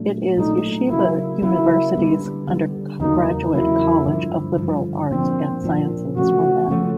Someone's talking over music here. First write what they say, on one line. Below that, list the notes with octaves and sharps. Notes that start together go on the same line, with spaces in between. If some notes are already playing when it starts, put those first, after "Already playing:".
It is Yeshiva University's undergraduate college of liberal arts and sciences for men.
Already playing: A#2 F#3 A3 D4
A#2 F#3 A3 D4 D#4
C#3 F#3 A#3 E4
C#3 F#3 A#3 E4
D3 G3 B3
D3 G3 B3
E2 C#3 F#3 A#3 D#4
E2 C#3 F#3 A#3 E4
G2 D3 F3
G2 D3 F3
A#2 F3 A#3 C4 D4
A#2 F3 A#3 D4
C#3 F3 A3 C#4 F#4
C#3 F3 A3 C#4